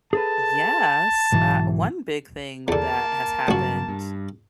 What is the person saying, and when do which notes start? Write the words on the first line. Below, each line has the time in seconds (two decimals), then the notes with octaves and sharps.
yes, uh, one big thing that has happened,
0.13 G#4 A4 B4 A5
1.32 B1 G#2 E3
2.68 E2 D3 A#3 A5
3.48 A1 G2 C#3 F#3 F#4
3.89 G2